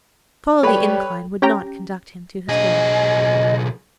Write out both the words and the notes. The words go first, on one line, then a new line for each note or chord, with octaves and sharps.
To follow the incline would not conduct him to his goal.
G3 A4 B4 C#5 G5
C#4 G4 G5 A#5
B1 G#4 D#5